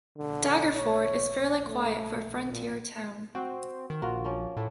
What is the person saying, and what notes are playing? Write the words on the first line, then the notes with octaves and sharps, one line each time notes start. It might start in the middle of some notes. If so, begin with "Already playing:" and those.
Daggerford is fairly quiet for a frontier town.
D3
C#5
A3
A#2
C4 F#4
D#3
A#1 F4 F#4 A#4
F3 A#3 C#4
A2 A3